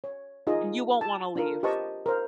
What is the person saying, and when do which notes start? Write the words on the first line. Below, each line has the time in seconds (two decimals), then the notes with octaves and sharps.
you won't wanna leave.
0.04 C#5
0.47 D#4 F4 G#4 D#5
1.01 A5
1.36 D4 F4 A#4
1.63 G4 B4 C5 D#5 A5 C#6
2.06 A#4 C5